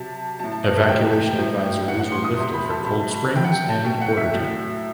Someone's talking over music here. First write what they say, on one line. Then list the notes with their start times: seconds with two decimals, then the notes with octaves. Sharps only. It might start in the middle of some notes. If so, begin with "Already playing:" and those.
Evacuation advisories were lifted for Cold Springs and Bordertown.
Already playing: C3 F#3 A5
0.39 A2 F#3 A5
0.52 A5
0.64 D#5
0.76 E5
0.89 C3 E3 G5
1.13 G5
1.38 A2 F#3
1.88 A2 E3 F#5
1.99 F#5
2.12 C6
2.25 D#6
2.37 C3 F#3 C6
2.53 B5
2.70 A5
2.86 B2 F#3 A5
3.10 B5
3.35 C3 F#3 G5
3.44 F#5
3.52 G5
3.69 A5
3.84 B2 F#3 G5
4.01 F#5
4.17 E5
4.34 A2 F#3